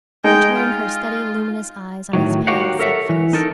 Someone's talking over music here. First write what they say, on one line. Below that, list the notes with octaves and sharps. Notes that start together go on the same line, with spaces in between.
She turned her steady luminous eyes on his pale, set face.
G#3 D#4 G5
F4
A2 D#3 F#3
F#4 G4 A#4 C#5 F5 F#5
A4 A#4 C#5 E5 F#5
E3
D#4 A4 A#4